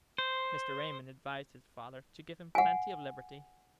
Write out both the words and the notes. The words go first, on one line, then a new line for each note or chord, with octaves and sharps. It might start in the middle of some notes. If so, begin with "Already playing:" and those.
Mr. Raymond advised his father to give him plenty of liberty.
C5
F#5 G#5